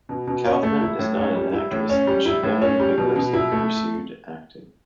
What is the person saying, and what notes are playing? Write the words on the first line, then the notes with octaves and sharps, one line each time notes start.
Kaufman is not an actress and she never vigorously pursued acting.
B2
B2
C#4
A3
E4
A2
C#4
G3
E4
A2
C#4
G3
E4
A2
C#4
G3
B2
B2
E4
A3